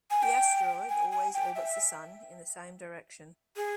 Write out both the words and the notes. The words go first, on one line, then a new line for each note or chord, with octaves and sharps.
The asteroid always orbits the Sun in the same direction.
G#5
G5
G#5
G#5
G5
E5
G#4